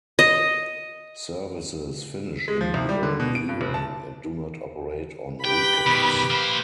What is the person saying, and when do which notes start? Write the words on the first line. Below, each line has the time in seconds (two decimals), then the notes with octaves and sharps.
Services finish in the early evening and do not operate on weekends.
0.19 D#5
2.48 G#3
2.61 F3
2.74 C2
2.89 G3
3.03 D3
3.20 B2
3.35 D7
3.49 G2
3.61 F1
3.74 A5
5.45 G4 B4 G5 B5
5.87 B2 D#3
6.30 A#3 C5